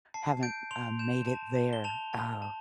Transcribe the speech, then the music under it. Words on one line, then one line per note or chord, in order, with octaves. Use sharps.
haven't, uh, made it there, uh,
A5 C7
G6 D7
C6 F7
G6 E7
A5
A5
G7
A5 F7
A5
A5